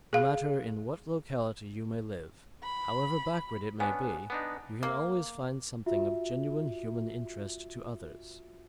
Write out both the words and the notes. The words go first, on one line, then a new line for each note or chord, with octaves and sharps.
No matter in what locality you may live, however backward it may be, you can always find something of genuine human interest to others.
G#4 F5
B5
B3 C#4 D4 G#5
B3 D4 D#4
A#3
F4 F#4 E5